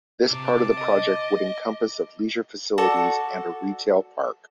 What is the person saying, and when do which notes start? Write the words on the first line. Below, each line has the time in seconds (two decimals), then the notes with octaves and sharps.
This part of the project would encompass of leisure facilities and a retail park.
0.31 C3 A5 D6
0.77 D#5
2.78 F#4 A4 D5